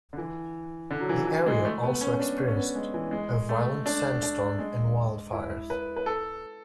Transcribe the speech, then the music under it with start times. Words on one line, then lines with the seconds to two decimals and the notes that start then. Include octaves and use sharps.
The area also experienced a violent sand storm and wildfires.
0.13 D3
0.18 E3
0.91 D3
1.01 F#3
1.09 E3
1.27 E3
1.46 G#3
1.65 A3
1.83 B3
2.01 C#4
2.13 C#4
2.19 D4
2.38 C#4
2.48 C#4
2.56 B3
2.76 G#3
2.94 E3
3.11 G#3
3.49 A3
3.86 D4
4.23 D4
4.59 G#3
5.33 E4
5.70 B4
5.96 B4
6.06 A4